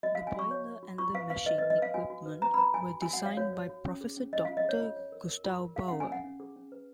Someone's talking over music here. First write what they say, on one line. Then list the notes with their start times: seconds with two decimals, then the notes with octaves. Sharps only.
The boiler and the machine equipment were designed by Professor Doctor Gustav Bauer.
0.03 F#4 D#5
0.15 F#4 F5
0.27 G#5
0.35 F#4 C#6
0.51 C#5
0.66 C#5
0.83 F#4
0.98 F4 C#6
1.15 B4 F5
1.30 B4 F5
1.46 B4 D#5
1.58 D#5
1.62 B4
1.70 D#5
1.78 B4 F5
1.94 F#4 G#5
2.10 F#4
2.26 B4
2.42 B4 A#5
2.54 B5
2.58 B4 A#5
2.74 F#4 G#5
2.89 F#4
3.02 F#4 G#5
3.13 F#5
3.21 C#5 F5
3.37 F#4 C#5
3.53 C#5
3.69 F#4
3.85 C#4
4.01 G#4
4.17 C#4
4.33 C#4 D#5
4.45 F4 F5
4.57 D#5
4.64 G#4 C#5
4.81 F4
4.96 C#5
5.12 A#4
5.28 A#4
5.44 F4
5.60 A#4
5.76 G#4 F5
5.88 C#4 F#5
6.00 G#5
6.08 C#4 F#5
6.24 C#4
6.40 G#4
6.56 C#4
6.72 B4